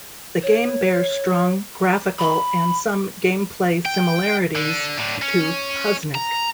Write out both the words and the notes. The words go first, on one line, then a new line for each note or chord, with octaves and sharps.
The game bears strong graphical and some gameplay similarities to "Puzznic".
C#5
B5
G5
D3
A2 D4
C#4
A#5